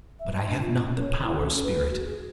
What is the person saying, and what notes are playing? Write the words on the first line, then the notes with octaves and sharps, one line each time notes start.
But I have not the power, Spirit.
E5
D#5
D4
F4
C#4
C#5
E4
C#4
B4
F#4
G#4